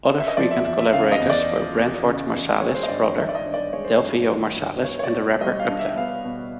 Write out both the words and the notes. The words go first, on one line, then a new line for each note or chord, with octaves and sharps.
Other frequent collaborators were Branford Marsalis' brother, Delfeayo Marsalis, and the rapper, Uptown.
E5
D#5
F3 D5
E5
E2 E5
E5
C#3 F5
D#5
E2
D5
F3
E2
C#3
E2
G#3 C#5
C5
D#5
G2 D5
D#5
D#3 E5
D5
D#5
G2
D5
G#3 C#5
C5
G2 C#5
D#3
G2
B3 C#5
C#5
D5
B2
G3 D#5
F5
D4
E5
B3 F5
B2